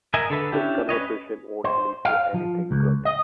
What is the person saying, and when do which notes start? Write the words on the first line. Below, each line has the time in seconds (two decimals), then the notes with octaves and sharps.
This conversation won’t lead to anything good.
0.14 A#4 D#5 E5 G#5
0.30 D3 A4 B4
0.52 C#4 D4 E4 G4
0.89 C#4 B4 C#5 D#5
1.64 C5
2.05 F5
2.34 F3
2.71 C#2
3.05 D#5